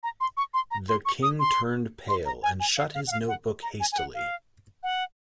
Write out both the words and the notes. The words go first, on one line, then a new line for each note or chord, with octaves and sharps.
The King turned pale, and shut his note-book hastily.
A#5
C6
C#6
C6
A#5
C6
C#6
D#6
C6
C6
A#5
G#5
G#5
F5
F5
F#5
F5
F#5
A#5
G#5
G#5
F#5
F5
F#5